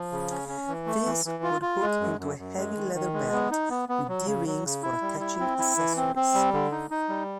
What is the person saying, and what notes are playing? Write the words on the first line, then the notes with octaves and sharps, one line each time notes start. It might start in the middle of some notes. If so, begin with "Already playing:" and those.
This would hook into a heavy leather belt with D-rings for attaching accessories.
Already playing: F3
C#3
C#4
C#4
E3
A3
E3
E3
F4
F4
G#3
F#2
F#2
F#2
G#3
D#3
D#3
G#3
B3
D#4
B3
B3
F#3
C#3
F#3
C#3
E4
G3
E4
C4
E4
E3
C4
C4
G3
D3
D#4
D#4
G3